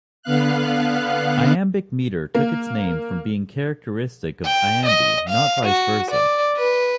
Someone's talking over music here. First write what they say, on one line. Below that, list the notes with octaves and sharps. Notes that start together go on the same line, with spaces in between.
Iambic metre took its name from being characteristic of "iambi", not vice versa.
D3 B3 F5 F#6
A#3
G5
D#5
F5
F#4
D5
B4